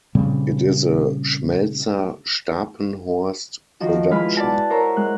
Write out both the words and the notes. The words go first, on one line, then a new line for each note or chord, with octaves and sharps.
It is a Schmelzer-Stapenhorst production.
A#2 C#3 G3 C4
D#3 F3 F#4
G#3 E4 F4 B4 B5 F6
D5 F#5 A5
A#4 C5 C#5 E5 A#5
G#3 F#6